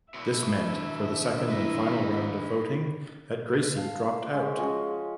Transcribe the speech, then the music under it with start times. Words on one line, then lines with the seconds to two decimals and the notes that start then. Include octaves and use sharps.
This meant for the second and final round of voting that Gracie dropped out.
0.14 B2 E4 E5
0.64 D#3 D4
1.49 D#4 E4 B4
3.76 F5 A5
4.33 G#3 C#4
4.57 F3 G#3 C#4 F#4